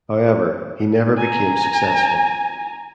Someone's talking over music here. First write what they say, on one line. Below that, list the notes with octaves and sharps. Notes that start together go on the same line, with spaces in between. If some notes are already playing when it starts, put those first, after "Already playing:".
However, he never became successful.
G#5 A#5